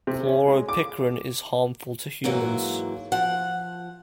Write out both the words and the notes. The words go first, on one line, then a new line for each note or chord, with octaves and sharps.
Chloropicrin is harmful to humans.
C3
C#4
G#3
D6
G#2 E3 F#3 A#3
F3 F#5